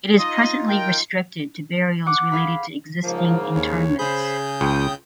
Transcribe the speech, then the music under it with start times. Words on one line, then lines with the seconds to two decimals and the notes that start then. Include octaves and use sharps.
It is presently restricted to burials related to existing interments.
0.18 D#4 F4 D#5
0.69 A#4 G5
2.06 F#5 D6
2.31 G#4 F5 B5 B6
3.03 G#2 C#3 F3 A#3
3.56 D#2 C#5
3.99 C#3 G#4 C5 B5 G6
4.61 C#2 G5 D#6